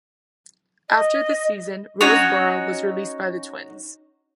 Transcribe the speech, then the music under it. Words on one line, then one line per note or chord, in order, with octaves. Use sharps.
After the season, Roseboro was released by the Twins.
D#5
C#4 D#4 F#4 C#5